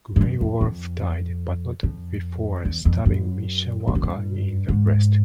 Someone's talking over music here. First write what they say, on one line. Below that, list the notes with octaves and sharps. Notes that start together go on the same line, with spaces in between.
Grey Wolf died, but not before stabbing Mishawaka in the breast.
G2
F#2
F2
F2
F2
E2
F2
F#2
G2
F#2
G2
G#2